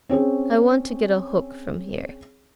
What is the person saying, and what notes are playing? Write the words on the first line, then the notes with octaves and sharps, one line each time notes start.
I want to get a hook from here.
C4 C#4 G#4 C#5